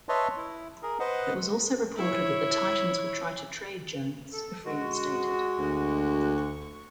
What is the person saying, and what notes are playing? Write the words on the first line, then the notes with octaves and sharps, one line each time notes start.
It was also reported that the Titans would try to trade Jones, if reinstated.
B4 C#5 D#5 E5 A5 C6
E4
G#4 A#4
B4 C5 D#5 F#5
E4 C#5
A4
G#3 F#4
D2
C#6